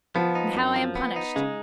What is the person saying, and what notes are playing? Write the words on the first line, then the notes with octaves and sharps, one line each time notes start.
And how I am punished!
F3 B3
D#4
F#2
F3
B3
D#4
C#3 G#3